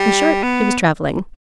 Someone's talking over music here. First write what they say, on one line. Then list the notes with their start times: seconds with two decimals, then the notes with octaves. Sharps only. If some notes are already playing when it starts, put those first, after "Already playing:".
In short, he was travelling.
Already playing: G3
0.43 B3